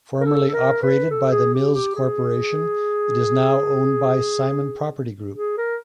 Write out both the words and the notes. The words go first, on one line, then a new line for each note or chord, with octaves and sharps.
Formerly operated by the Mills Corporation, it is now owned by Simon Property Group.
A#4
A4
A4
A#4
B4
A4
G#4
G4
G4
G#4
G#4
A#4